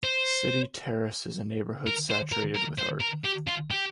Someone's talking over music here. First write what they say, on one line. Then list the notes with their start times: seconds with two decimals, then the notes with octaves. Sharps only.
City Terrace is a neighborhood saturated with art.
0.04 C5
1.87 A#4
2.10 C5
2.32 A#4
2.55 A#4
2.79 C5
3.01 A#4
3.25 G4
3.47 F4
3.71 G4